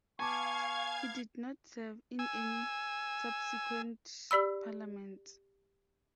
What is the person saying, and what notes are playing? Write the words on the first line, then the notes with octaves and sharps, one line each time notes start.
He did not serve in any subsequent Parliaments.
B3 F5 G#5 A5 C#6 D6 G#6
G#5 E6
G4 D5 B5 E6